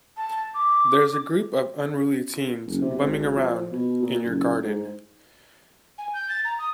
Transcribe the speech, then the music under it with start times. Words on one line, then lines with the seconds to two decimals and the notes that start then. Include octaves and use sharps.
There's a group of unruly teens bumming around in your garden.
0.17 A5
0.54 D6
2.66 F#1
2.81 C3
3.02 G#1
3.36 F3
3.72 B2
4.02 A#2
4.24 F#1
4.64 G#2
5.98 G#5
6.14 G6
6.29 A6
6.45 A#5
6.59 D#6